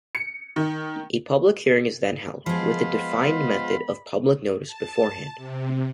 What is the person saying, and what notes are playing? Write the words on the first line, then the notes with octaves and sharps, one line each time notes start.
A public hearing is then held, with a defined method of public notice beforehand.
C#7
D#3
F3 G#3 B3 F4 G#4 C5 B5
A5
C3